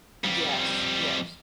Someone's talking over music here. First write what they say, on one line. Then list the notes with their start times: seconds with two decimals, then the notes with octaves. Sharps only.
Yes, yes.
0.24 F2 G3